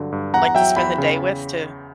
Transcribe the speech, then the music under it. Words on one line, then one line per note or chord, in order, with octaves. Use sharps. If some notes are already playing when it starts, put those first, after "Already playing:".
like to spend the day with to
Already playing: G2 D3 F#3
G2
E2 F#5 A#5
F#3 E5 G5
E2 G5 B5
C#3